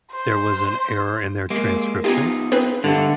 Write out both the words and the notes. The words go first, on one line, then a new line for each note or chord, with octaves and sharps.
there was an error in their transcription?
C5
G#3 A#3
B3 D#4 F4 G4 G#5 A#5
C4 G#4 B4
G2 D3 A3